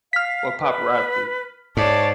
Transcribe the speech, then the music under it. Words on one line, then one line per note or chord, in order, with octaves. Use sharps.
Or Paparazzi?
F5 F6 B6
B4
G#2 C#5 D5 A5